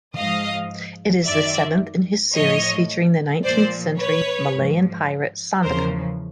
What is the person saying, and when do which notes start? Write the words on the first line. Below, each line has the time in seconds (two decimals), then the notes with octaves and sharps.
It is the seventh in his series featuring the nineteenth century Malayan pirate Sandokan.
0.16 G#2 F3 D#5 F5
1.25 F#2 D#3 D5 E5
2.35 A2 F3 C#5 D#5
3.44 A#2 F3 C5 D5
3.99 B4 C#5
4.54 G#2 F3
5.63 E2 C#3 F3 A#4 C5